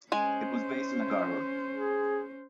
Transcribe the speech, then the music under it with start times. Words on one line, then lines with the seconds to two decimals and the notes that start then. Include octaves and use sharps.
It was based in Agaro.
0.12 G#3 C#4 C5 G#5
1.77 G#4